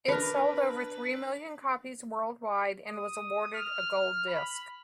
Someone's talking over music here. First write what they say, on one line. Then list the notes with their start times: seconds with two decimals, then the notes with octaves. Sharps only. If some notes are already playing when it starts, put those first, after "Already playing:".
It sold over three million copies worldwide, and was awarded a gold disc.
0.08 D4 A#4 B4
2.88 D#6
3.54 F6
4.28 B5